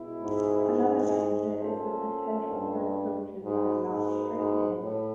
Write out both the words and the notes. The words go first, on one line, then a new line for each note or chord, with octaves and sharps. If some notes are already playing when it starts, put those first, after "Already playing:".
Another benefit is the potential for approaches that are not straight- in.
Already playing: B2 G#3 B3 E4
G#2
A#3 C#4 F4 A4 C5
G2
G#2 A#3 D#4 F#4 B4
G#2
G#2
A2